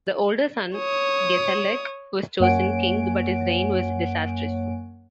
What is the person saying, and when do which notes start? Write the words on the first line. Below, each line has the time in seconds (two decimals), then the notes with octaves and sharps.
The older son, Gesalec, was chosen king but his reign was disastrous.
0.75 C#5 D#6
2.40 F#2 A#3 C#5 F#5 G#5 D7